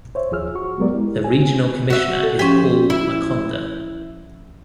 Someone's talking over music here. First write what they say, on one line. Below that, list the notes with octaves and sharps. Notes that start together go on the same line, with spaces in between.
The regional commissioner is Paul Makonda.
C5 C#5 E5
D#2 F3 F4 G#4 E6 F6
F#4 C#6
F#3 G#3 B3 G4 A#4 D5
G#3 E4 G4
G#5
F#4 E5
A4
F3 C#4 G4 C5
E4